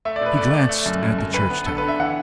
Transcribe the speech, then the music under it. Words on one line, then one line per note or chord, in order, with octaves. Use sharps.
He glanced at the church tower.
A3 E5
D5
B2 B4
A3 D5
A3 D5
A3
F#2
F#2
F#2
D2 B4
B3
D3 A4
B4
D3 E5
E3 F#5